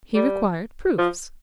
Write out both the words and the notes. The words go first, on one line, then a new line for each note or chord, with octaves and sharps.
He required proofs.
G3
F3